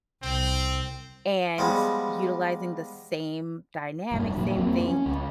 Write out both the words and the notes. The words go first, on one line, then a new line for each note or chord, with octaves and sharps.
and utilizing the same dynamic, same thing,
C2 C4
F3 G3 G#3 B3
E1 G2
A#2 F#3
F2 F#3 A#3 C4
C#4
C#2